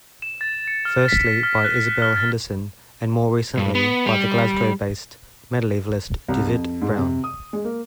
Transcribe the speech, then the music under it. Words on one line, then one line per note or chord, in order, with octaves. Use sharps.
Firstly by Isabel Henderson, and more recently by the Glasgow-based medievalist Dauvit Broun.
E7
A6
C#7
F6
B6
F6
F#6
F6
A6
G2
B3
G3
C2
F2
G#2
C3
D#6
G#3
A#3